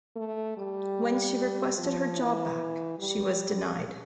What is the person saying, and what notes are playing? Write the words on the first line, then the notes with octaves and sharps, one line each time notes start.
When she requested her job back, she was denied.
A3
G3
F3
E3
G3